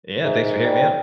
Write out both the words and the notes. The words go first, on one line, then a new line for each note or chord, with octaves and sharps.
Yeah, thanks for hearing me out.
G#2 E5
G4 B4 D5